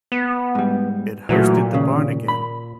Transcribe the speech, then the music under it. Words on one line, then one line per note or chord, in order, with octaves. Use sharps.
It hosted the Barn Again!
B3
G#2 G3
A#2 E3 F#3 A3
D#2 C#3
B5